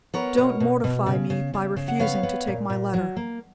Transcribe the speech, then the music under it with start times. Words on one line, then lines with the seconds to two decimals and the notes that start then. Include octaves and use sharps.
"Don't mortify me by refusing to take my letter."
0.14 B3 A#4 C#5
0.37 B2
0.60 B2
0.84 B2
1.06 C#3
1.30 C#3
1.54 C#3
1.76 C#3
1.88 F#5
1.99 B3 C#5 F5
2.23 B3
2.47 A#2
2.69 A#2
2.93 F#3
3.16 A#3